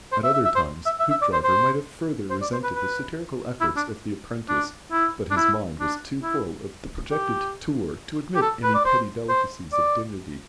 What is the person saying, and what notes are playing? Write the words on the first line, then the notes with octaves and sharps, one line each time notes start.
At other times Hoopdriver might have further resented the satirical efforts of the apprentice, but his mind was too full of the projected Tour to admit any petty delicacies of dignity.
C5
E5
E5
E5
C5
E5
E5
E5
D5
C5
C5
C5
D5
C5
B4
B4
E4
D4
D4
E4
D4
E4
D4
E4
G4
G4
A4
B4
D5
C5
C5
D5